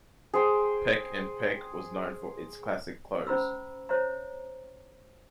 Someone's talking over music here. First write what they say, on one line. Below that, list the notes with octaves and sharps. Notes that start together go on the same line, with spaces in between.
Peck and Peck was known for its classic clothes.
G#4 C5 G5
C#4 C5 A#5 B5 E6
C5 C#5 E5 A#5